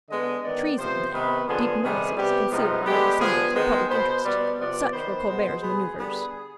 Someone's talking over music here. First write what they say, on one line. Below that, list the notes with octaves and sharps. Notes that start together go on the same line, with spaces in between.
Treason, then--deep menaces, concealed under the semblance of public interest--such were Colbert's maneuvers.
D3 G#3 B3 D#5
D#3 B3 D5
C3 F3 B3 C5
C3 D#3 B3 B4
D3 F3 B3 G#4
C3 D#3 G3 B3 G#4
C3 G3 B3 G4
C3 F3 G#3 B3 D#4
D3 G#3 B3 G4
D3 F3 B3 G#4
D#3 G#3 B3 C5
B2 B3 C5
B2 G3 B3 D5
C3 F3 B3 D5
D#3 B3 C5
B2 G#3 B3
B2 B3 G#4
D3 G3 B3